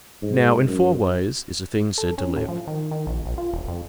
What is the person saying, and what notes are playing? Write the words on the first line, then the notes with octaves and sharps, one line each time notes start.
Now, in four ways is a thing said to live.
G#2
F#2
A4
C#4
A2
F3
D#3
D#3
A#1
A#1
F4
E1
F2